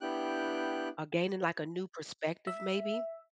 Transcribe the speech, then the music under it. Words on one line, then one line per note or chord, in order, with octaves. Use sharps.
or gaining, like, a new perspective maybe?
B3 D4 E4 G4 G5 F#6
E5